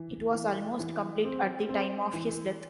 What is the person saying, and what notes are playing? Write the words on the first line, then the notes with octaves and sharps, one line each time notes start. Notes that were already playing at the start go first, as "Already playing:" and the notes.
It was almost complete at the time of his death.
Already playing: E3
E3
E3
C4
C4
E3